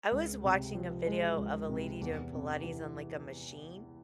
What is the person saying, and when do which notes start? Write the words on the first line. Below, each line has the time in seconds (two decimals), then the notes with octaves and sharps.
I was watching a video of a lady doing Pilates on, like, a machine
0.11 C#2
0.43 C3
0.75 F3
1.06 G#3
1.38 C#2
1.69 C3
2.01 E2
2.33 C3
2.64 E3